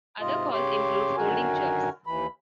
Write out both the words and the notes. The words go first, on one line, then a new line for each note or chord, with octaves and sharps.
Other calls include scolding chirps.
G#2 C3 F4 D#5
C#3 G4 C#5 C6 D6
F#2 D3 D#3 F#4 A#4 G#5
D#2 E3 B5